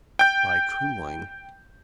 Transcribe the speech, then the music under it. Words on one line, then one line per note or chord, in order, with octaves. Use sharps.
"By cooling?"
G5 G6